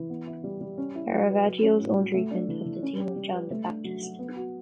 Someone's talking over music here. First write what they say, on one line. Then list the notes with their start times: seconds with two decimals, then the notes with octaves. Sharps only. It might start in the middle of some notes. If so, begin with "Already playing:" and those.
Caravaggio's own treatment of the theme of "John the Baptist".
Already playing: E3
0.10 B3
0.27 E4
0.44 G3
0.61 G3
0.78 C#4
0.95 E4
1.12 F#3
1.29 B4
1.46 F#3
1.63 C#4
1.80 A2
1.97 F#4
2.14 A3
2.31 D4
2.48 E3
2.66 E3
2.83 C#4
3.00 G4
3.16 G3
3.34 B4
3.50 A3
3.67 D4
3.84 F#3
4.02 F#4
4.19 B3
4.36 F#4